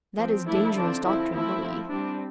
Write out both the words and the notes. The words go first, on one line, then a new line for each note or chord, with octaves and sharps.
"That is dangerous doctrine, Louis."
F3 C4
F3 A3 D4 E4
D3 F3 C4 D4
F3 C4 E4
F3 A3 C4 E4
F3 C4
G3 C4 D4